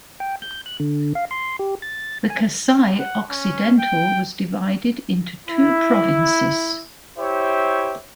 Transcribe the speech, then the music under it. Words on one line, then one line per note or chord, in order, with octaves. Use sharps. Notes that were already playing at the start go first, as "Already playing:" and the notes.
The Kasai-Occidental was divided into two provinces.
G5
G6
F#6
D3
F5
C6
G4
A6
G#5
F#5
C#4
G5
E4
E4 G4 C5 C#5 E5